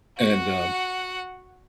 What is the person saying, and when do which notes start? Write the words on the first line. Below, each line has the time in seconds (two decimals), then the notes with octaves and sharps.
And, um
0.18 F#4 F#5